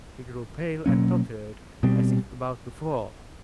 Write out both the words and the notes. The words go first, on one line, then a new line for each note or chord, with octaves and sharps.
He grew pale and tottered, as if about to fall.
B2 F#3 A#3 C#4
B2 G3 C4